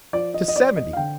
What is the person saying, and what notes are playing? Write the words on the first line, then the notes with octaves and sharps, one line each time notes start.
To seventy!
F3 D5
D#5
D#5
C4 D5
D#5
F5
D3 G5